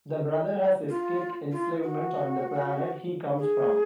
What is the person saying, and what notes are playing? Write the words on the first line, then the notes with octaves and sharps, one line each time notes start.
The Brother has escaped enslavement on the planet he comes from.
F4
F4
F#4
G#4